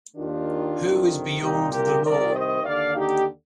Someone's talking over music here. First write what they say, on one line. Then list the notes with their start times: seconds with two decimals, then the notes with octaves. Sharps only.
Who is beyond the law?
0.16 D#2 D#3 D4 F4
0.78 F2 C3 D#3
1.40 C2 A#2 D#4 G4
1.72 G4 A#4
2.02 C2 C3 D#3 A#4 D5
2.34 C5 D#5
2.64 D#2 D3 D5 F5
2.95 D#4 G4